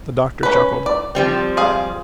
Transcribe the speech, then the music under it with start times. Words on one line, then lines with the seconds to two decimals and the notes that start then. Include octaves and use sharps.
The Doctor chuckled.
0.43 C#4 B4
0.86 D5
1.15 F3 G3 C4
1.57 G#4 F5